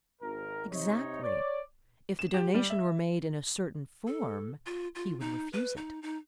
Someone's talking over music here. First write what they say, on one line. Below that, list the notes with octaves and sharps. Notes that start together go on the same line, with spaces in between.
"Exactly: if the donation were made in a certain form he would refuse it."
G#1 A#4
C3 D#4 C#5
C#5 D5
E7
G4
G3
E5
A4
F4
F4
D#4
B4
D#4
D#4